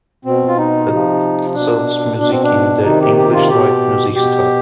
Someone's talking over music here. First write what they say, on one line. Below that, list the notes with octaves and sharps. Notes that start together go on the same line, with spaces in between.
Addinsell's music is in the "English light music" style.
B2 C4
F4
D#4
C3 F3
B2 D4
B2 D4
C4
D4
C3 D#3 D#4
G4
G4
F4
B2 G4
B2 G4